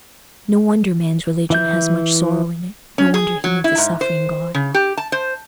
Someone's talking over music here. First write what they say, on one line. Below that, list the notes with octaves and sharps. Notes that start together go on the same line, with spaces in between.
No wonder man's religion has much sorrow in it: no wonder he needs a suffering God.
E3 E5 G6
C#4
G#4
F#3
E4
G#2
C5
C#3
G4
A5
C5